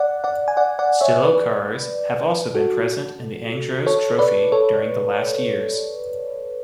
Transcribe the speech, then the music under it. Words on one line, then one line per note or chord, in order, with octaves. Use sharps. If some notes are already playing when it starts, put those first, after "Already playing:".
Stilo cars have also been present in the Andros Trophy during the last years.
Already playing: D5 F#5
D5 F#5
G#5
D5 F#5
D5 F#5
C#5 E5
B4 D5
F#4 A4
A4 C#5
B4 D5
A4 C#5